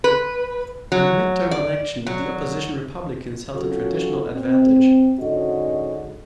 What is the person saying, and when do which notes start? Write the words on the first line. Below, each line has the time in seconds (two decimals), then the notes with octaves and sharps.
In a midterm election, the opposition Republicans held the traditional advantage.
0.04 B4
0.92 F#3
1.51 D5
2.07 F#3
3.56 F#3 C#4 F4 F#4 A4
4.35 C4
5.20 G#2 D3 C#4 F#4 D#5